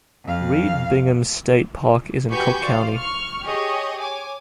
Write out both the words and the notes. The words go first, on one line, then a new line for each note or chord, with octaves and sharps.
Reed Bingham State Park is in Cook County.
F2 F5
F#4 G4 B4 G#5 C#6 G6
C5 D5 F5
C#6 F6
G4 G#4 C#5 D#5 C#6
C#5 G#5 D6